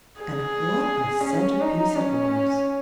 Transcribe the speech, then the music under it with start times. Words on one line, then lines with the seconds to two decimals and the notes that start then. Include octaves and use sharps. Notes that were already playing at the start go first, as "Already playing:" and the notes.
And what a centrepiece it was!
0.20 G#4
1.24 C#4
1.60 D#4
1.95 C#4